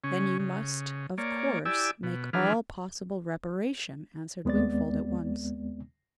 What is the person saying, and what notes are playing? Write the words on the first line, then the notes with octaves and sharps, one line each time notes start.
"Then you must of course make all possible reparation," answered Wingfold at once.
C#3 C#4
C#3
A#3 C#5 D5
E4 G4 D5 G#5 E6
B2
E3 F3 D4 G#4 B4 F6
D#2 G#3 B3 C4 D5 A6